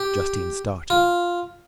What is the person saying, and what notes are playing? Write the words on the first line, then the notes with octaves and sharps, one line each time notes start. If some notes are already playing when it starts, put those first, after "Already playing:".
Justine started.
Already playing: G4
F4